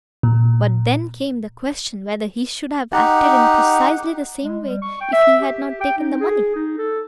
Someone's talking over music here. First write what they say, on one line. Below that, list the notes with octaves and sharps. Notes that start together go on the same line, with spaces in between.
But then came the question whether he should have acted in precisely the same way if he had not taken the money?
A#2
D#4 G4 F#5
G#3
G3
C#6
G5
E5
G4
G5
D#4
G#4
D#4
A4